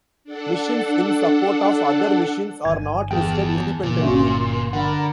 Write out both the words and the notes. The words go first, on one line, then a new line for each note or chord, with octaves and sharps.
Missions in support of other missions are not listed independently.
D4 A4 F#5
G1 D#3 G#5 G#6
E2 G#4 G5 A5
A#2 C#3 E3
G1 C#4 F#4 E5 C6
D3 A#4 D5 F#5 B5